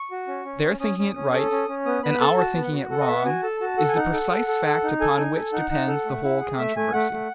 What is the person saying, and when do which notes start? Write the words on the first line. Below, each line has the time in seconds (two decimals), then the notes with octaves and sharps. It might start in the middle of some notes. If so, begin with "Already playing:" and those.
Their thinking it right and our thinking it wrong is the precise fact upon which depends the whole controversy.
Already playing: C#6
0.11 F#4
0.28 C#4
0.45 C#4
0.64 C#4
0.80 C#4 D#6
0.98 C#4
1.15 C#4
1.33 A4
1.51 C#4
1.68 C#4
1.86 B3 D#6
2.03 B3 B5
2.21 A4 A5
2.38 F#4 A5
2.56 B3
2.64 F#5
2.73 F#4
2.91 A4 F#5
3.01 D#5
3.07 B3 E5
3.18 F#5
3.25 F#4 G#5
3.43 A4 A5
3.61 F#4 A5
3.78 A4 F#5
3.89 G#5
3.96 D#4 F#5
4.13 A4
4.31 A4
4.48 A4
4.66 A4
4.84 D#4
5.01 A4 G#5
5.18 D#4
5.35 A4
5.53 D#4 F#5
5.70 D#4
5.88 A4
6.05 A3
6.23 E4
6.40 G#4
6.58 A3 E5
6.76 A3 G#5
6.93 A3 F#5
7.11 A3